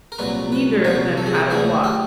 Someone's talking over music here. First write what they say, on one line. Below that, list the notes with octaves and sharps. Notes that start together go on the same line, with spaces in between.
Neither of them had a watch.
A#4
C2 A#2 F#3 B4
B4
C2 A#2 F#3 B4
A4
G#4
A4
D2 D3 F#3 G#4
G4